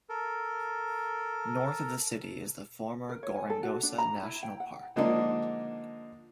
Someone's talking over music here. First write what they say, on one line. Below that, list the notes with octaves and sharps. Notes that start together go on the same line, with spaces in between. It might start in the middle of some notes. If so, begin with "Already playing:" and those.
North of the city is the former Gorongosa national park.
A4 A#4
A#4
C#5
G#5
A4
F#4
D4
A#5
E4
G5
F#5
D3 F3 G#3 A#3 D4 D#4